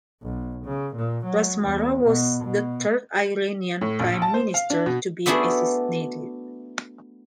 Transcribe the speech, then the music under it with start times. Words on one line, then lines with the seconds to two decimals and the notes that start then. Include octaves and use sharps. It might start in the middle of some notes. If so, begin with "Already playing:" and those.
Razmara was the third Iranian prime minister to be assassinated.
0.23 B1
0.65 C#3
0.95 A#2
1.25 F#3
1.63 E2
2.04 B2
2.43 B2
3.81 A2
4.00 A#1
4.22 A5
4.34 C5
4.54 F5
4.70 D4
4.86 B2
5.26 A3 B3 D4 E4 F#4 G#4